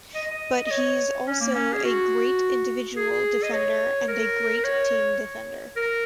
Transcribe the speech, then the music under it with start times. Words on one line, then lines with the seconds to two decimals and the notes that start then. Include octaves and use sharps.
But he's also a great individual defender and a great team defender.
0.15 D#5
0.30 D#5
0.67 D#5
0.71 C#5
1.27 C#4
1.41 A#3
1.55 C#4
1.73 G#4
1.84 F#4
2.96 G#4
3.43 D#5
3.53 C#5
4.08 A#4
4.57 A#4
4.64 C#5
5.76 A#4